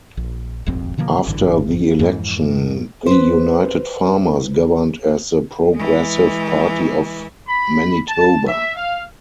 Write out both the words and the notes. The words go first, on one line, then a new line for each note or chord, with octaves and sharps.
After the election, the United Farmers governed as the "Progressive Party of Manitoba".
A#1
D#1 G#1 F2 C4
B2 D3 F3 A#3
G#1 G2 D3 E3
F2 G#2 E3
B4 C5
E3 G#3
B5
A5
E5
F5